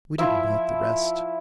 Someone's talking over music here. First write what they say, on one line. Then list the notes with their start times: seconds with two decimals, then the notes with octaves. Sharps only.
We didn't want the rest.'
0.18 F3 E4 E5